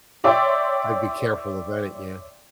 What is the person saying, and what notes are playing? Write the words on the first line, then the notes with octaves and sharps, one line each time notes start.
I'd be careful about it, yeah.
C#5 D5 E5 G5 C6